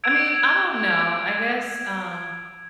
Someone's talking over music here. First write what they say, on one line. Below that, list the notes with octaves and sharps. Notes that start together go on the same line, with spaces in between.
I mean, I don't know, I guess, um,
E6 G#6 D7 E7 F7